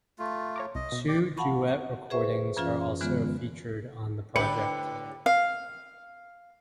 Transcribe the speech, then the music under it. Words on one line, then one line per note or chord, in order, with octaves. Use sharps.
Two duet recordings are also featured on the project.
A3 F4
C#5 A#5 D6
C2 D#5
B2
G4 D5 D6
F5 F#5 A5 B5 C#6
G#4 B4 C5 E5 C#6
F#2 E3 C#4 F4 F5
D3 E3 G#3 B3 F4
A2 D3 G4 B4 C#7
F5